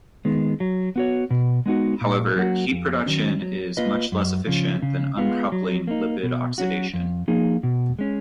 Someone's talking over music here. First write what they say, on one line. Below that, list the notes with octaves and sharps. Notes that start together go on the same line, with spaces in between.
However, heat production is much less efficient than uncoupling lipid oxidation.
D#3 G#3 B3
F#3
B3 F#4 C#5
B2
G#3 B3 D#4 F#4
A#2
F#3 A#3 C#4 F#4
F2
D#3 F#3 C#4
F#3
A#3 F4 B4 D#5
F#2
C#3 F3
C#3
G#3 B3 F4
F#3
A#3 D#4
B2
F#3 C#4 F#4
F2
F3 A#3 D#4 G#4
B2
G#3 C#4